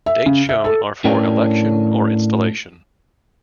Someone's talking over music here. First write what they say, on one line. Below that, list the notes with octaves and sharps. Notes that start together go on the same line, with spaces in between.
Dates shown are for election or installation.
E5
C#3
E5
A4
A2 C#4 D4 A#4 G5